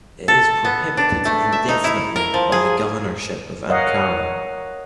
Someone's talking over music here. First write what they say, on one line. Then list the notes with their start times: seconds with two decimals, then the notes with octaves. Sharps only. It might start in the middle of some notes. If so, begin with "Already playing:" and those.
It is prohibited indefinitely by the Governorship of Ankara.
0.28 A4
0.65 B3
0.97 D4
1.25 A3
1.52 E5
1.68 D#4
1.84 E4
2.16 A#4
2.34 F3
2.52 G#4
3.70 A#4 C#5 D#5 F5 F#5